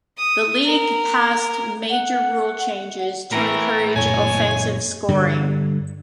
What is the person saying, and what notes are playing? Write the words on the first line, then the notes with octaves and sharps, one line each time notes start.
The league passed major rule changes to encourage offensive scoring.
D#6
A#4
F#5
A2 E3 A#4
F#2 A#2 C#5 G#5
G2 D3 G3